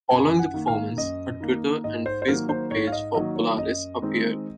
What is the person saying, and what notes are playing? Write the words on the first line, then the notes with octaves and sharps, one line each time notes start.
Following the performance, a Twitter and Facebook page for Polaris appeared.
F#2 G#5
G#5
F#5
D#3 A#3
F5
F#2 D#5
D#3 A#3
G#2 D#5
C5
C5
D#3 F#3 A#3 A#4
C5
G#2 C#5
F5
D#5
D#3 F#3 A#3 D#5
C#5
F#2 D#5
D#3 G#3 C4